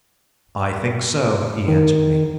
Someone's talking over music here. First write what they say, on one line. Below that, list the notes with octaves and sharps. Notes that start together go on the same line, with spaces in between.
"I think so," he answered me.
D#3